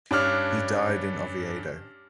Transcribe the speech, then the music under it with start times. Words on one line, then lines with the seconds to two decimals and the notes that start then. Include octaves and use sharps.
He died in Oviedo.
0.11 G2 C#4 D4 F6